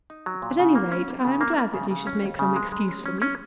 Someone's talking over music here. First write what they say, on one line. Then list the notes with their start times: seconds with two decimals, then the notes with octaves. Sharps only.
At any rate, I am glad that you should make some excuse for me.
0.10 D#4
0.26 F#3
0.42 A#2
0.59 C#3
0.75 A#3
0.92 C#4
1.08 A#3
1.25 C#3
1.41 A#3
1.57 A#3
1.74 C#3
1.90 C#3
2.07 C#4
2.23 D#2
2.39 C#3
2.56 G#3
2.72 G#3
2.88 C#4
3.06 C#4
3.22 C#4